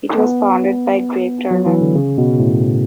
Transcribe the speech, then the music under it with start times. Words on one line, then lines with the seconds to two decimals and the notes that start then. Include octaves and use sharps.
It was founded by Greg Turner.
0.18 B3
1.51 F#3
1.66 E3
1.81 D3
1.95 C#3
2.18 B2
2.40 A2